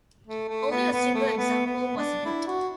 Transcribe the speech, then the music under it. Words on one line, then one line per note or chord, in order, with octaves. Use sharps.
Only a single example was built.
A3
A3
B3
B3
A3
B3
B3
D4
E4
F#4